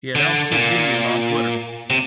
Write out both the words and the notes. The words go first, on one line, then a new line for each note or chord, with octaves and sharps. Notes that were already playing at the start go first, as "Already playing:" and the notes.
He announced his union on Twitter.
D3
A#2
C3